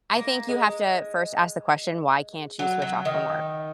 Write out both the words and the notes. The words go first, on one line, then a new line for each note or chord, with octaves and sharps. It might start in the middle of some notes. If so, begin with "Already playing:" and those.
I think you have to first ask the question, "Why can't you switch off from work?"
A#3
G#3
F#3
F#3
D#3